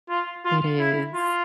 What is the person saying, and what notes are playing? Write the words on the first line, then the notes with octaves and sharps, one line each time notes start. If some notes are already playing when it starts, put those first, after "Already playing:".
It is,
F4
F4
E4
F4